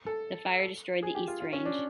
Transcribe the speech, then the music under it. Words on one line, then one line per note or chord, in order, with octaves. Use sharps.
The fire destroyed the East Range.
A4
G#4
G4
F4
F4
C#4
D4